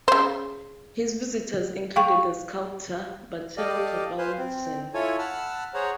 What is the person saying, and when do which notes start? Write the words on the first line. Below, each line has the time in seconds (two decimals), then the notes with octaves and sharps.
His visitors included the sculptor Bertel Thorvaldsen.
0.08 C#3 C5
1.96 F5 G5 C#6
3.57 G4 A4 D5 D#5 F5
4.18 B4 C5 F5 G#5 C6
4.38 C4
4.94 E4 F4 A4 C#5 G#5
5.18 F#5 A5 B5 E6 F6
5.74 G#4 C5 C#5 F#5 A#5